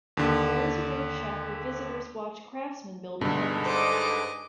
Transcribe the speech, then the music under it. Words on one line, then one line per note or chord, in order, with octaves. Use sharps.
There is a workshop where visitors can watch craftsmen build models.
D#2 D3
G2 B2 D3 G#3 D#4 A4
C5 D#5 D6